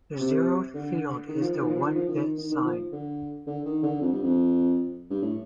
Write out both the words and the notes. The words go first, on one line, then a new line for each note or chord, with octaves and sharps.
The zeroth field is the one-bit sign.
C3
D3
D#3
F3
D#3
F3
D#3
F3
D#3
D#3
D#3
F3
D3
D3
D#3
D3
F2
G2
F2
G2
A2